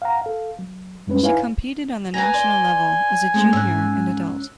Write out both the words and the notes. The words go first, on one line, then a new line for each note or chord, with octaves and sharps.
She competed on the national level as a junior and adult.
F5 F#5 A#5
A4 F5
F#3
F#2 G3 G#3 C4 C#4 B4
D#4 E4 B4 C#5 F5 G#5
B4 G#5 A#5 A#6
D5 C6 G7
G#3 A3 C4
G#2 C#4 E6 F#6